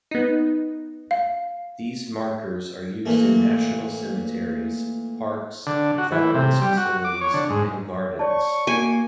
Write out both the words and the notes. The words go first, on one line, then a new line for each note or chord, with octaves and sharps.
These markers are used in National Cemeteries, parks, veterans facilities, and gardens.
B3 D#4
F5
A#2 E3 A3 A#3
D3
F#4
E3
C3
G3
F#4
D6
C#5
D3
G#2
C#5 D5 A5 C#6
A#3 F#4 G#5